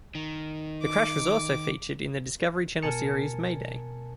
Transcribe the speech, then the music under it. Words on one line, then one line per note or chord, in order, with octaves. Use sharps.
The crash was also featured in the Discovery Channel series Mayday.
D#3
D6
B2 A#4 G#5 A5 C#7